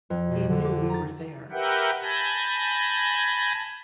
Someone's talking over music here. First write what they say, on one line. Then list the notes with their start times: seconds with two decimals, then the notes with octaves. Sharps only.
He knew we were there.
0.10 F2
0.29 B2
0.49 D3
0.65 D6
0.89 A#5 A6
1.52 G4 A#4 B4 E5 F#5 G5
2.03 G#5 A5 B5 G6 G#6 A#6